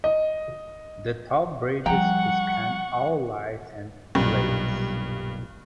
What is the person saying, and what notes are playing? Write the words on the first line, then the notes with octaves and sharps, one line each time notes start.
The toll bridges scan all license plates.
D#5
F3 G3 F#5 G5 A#5 C#6
B1 G2 A#2 D5